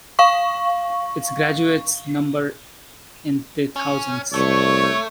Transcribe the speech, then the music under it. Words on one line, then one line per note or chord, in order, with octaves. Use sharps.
Its graduates number in the thousands.
F5 C#6
C#4
C2 A3 C#5